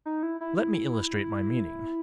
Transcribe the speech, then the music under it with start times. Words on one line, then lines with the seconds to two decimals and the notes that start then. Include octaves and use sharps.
Let me illustrate my meaning.
0.06 D#4
0.23 E4
0.41 E4
0.58 E4